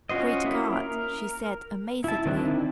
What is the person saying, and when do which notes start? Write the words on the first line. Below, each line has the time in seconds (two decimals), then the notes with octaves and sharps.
"Great God!" she said amazedly.
0.09 C#4 F4 F#4 C5 D#5
0.44 A#3 C#4 E4 E5 D#6
0.73 A#4
2.04 E4 A5
2.26 D#3 C4 D4 E4